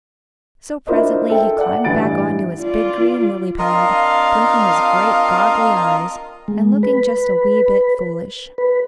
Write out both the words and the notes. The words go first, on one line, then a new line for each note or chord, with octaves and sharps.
So presently he climbed back on to his big green lily-pad, blinking his great, goggly eyes and looking just a wee bit foolish.
D4 E4 F4 A#4 C5 D#5
A4 E5 G5
D5 F#5
A1 G2 E3 D4 A6 D7
F4 D5
C4 D4 F4 A#4 D#5 F5
G#3
B4
B4